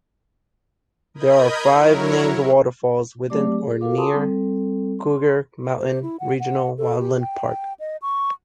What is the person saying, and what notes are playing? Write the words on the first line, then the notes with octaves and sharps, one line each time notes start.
There are five named waterfalls within or near Cougar Mountain Regional Wildland Park.
A#4 D#5 B5 D#6 G6 G#6
F#3 E4 A#4 C#5
F#3 A3 C4 G4 D5 D6
G#4
F4 F#4 A4 A#4 F5 D6
G#5 A5 B5 C6 D6 D#6
G3 C4 A4
C6
C5
E4
F#5
F#5
A4
G4
G5
D#5
C#6